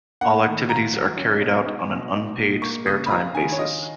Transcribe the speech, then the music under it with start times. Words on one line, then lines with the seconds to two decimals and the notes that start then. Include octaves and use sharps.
All activities are carried out on an unpaid, spare time basis.
0.21 A#3 F#5
0.46 D#3
0.69 F4 A#5
0.94 F#3
1.17 C#4
1.42 B2
1.66 D#4
1.90 B2
2.14 D#4
2.38 A#2
2.62 A#3 C#6
2.86 C#3 D#6
3.06 B5
3.10 F4 A#5
3.34 D#3 G#5
3.52 C#5
3.58 F4 D#5